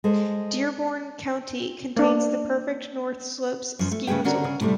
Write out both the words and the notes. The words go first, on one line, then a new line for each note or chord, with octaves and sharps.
Dearborn County contains the Perfect North Slopes ski resort.
G#3 A4 C5
A#3 D4
F#2 F3
A3
C#3 A3 G#4 B4 G5
D3 C#4 D4 F#4 A#4
C#3
A2 C3 G3 A3